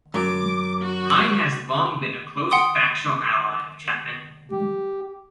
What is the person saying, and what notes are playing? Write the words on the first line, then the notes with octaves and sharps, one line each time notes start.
Pyne has long been a close factional ally of Chapman.
F#2 D6
F#4
F#5 G5 C6 D#6
G4